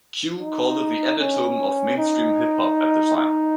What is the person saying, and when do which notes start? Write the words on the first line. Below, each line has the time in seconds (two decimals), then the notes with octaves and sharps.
"Q" called it "the epitome of mainstream hip hop" at the time.
0.40 D#4
1.19 C#4
1.98 D#4
3.16 D#4